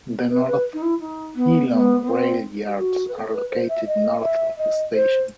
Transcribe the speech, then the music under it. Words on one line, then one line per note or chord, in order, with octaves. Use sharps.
The North Geelong rail yards are located north of the station.
B4
B4
D#4
E4
D#4
B3
B3
B3
C4
G4
F#4
B4
A4
B4
C5
E5
D#5
E5
D#5
C5